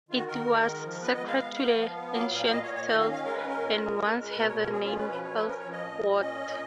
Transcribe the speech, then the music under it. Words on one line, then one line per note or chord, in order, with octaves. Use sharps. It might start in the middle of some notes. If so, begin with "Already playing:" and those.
It was sacred to the ancient Celts, and once had the name "elfwort".
D#3 F4
F#4
D#3 A#4
D#3
G#3
F3
B3 B4
D#5
G#3
F5
B3
B3
F3
B3
F#3 F5
A#2 F5
F5
A#2 D#5
C#5
A#2
C#5
D#3 D#5
F5
C#4
F5
G#3 A#4
B4
C#4
A#4
A#2
A#2
G#3
G#3
B4
B2 A#4
C#5
B2
A#4
C#4 G#4
F4
B2
B4
F3 B4
C#5
F3
B4
C#4 A#4
C#5
F3
D#5
A#2
A#2
C#4 D#5
A#2